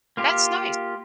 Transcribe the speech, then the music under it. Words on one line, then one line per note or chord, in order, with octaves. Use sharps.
That's nice.
A#3 F4 G4